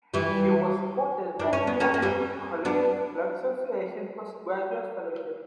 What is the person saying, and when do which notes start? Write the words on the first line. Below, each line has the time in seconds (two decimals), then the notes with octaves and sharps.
She was supported by an National Collegiate Athletic Association postgraduate fellowship.
0.14 E3 G3
1.39 D4
1.53 C#4
1.67 B3
1.80 A#3 C#4
1.94 A#3
2.02 G3 B3
2.65 B3 D4